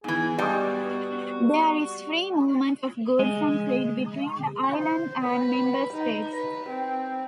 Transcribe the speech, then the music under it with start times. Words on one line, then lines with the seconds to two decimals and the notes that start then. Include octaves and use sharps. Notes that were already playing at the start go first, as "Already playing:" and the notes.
There is free movement of goods and trade between the island and Member States.
0.04 G#2 E3 B3 G#4
0.39 G2 G3 G#3 F#4
3.19 G#3
4.76 C5
5.23 B4
5.93 D#4
6.32 B4
6.69 C4